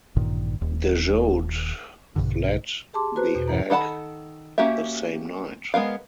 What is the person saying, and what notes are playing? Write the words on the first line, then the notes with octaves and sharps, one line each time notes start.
De Jode fled The Hague the same night.
A1 G2 A#2 D#3
D#1 D#2
A#1 G2 B2 D3
G4 G#4 A5 C6 D6
F#4 B4 C5 A#5 F#6
E2 B2
G2 E3 E4 A#5
D#3 A4 F#5 A5 B5
A#3 C#4 F#4 G4 E5
G#3 B3 A#4 F5